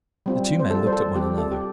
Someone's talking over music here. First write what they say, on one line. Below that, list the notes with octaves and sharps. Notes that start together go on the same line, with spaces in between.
The two men looked at one another.
G3 C4 F4
C5
G3 F4 A4
C5
A4
G3 C4 F4 G4
A4
G4